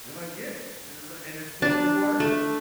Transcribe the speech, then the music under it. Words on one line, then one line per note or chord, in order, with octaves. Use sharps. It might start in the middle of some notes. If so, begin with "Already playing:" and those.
They're like, "Yeah," this is like "And it's flowing water?"
D4
A3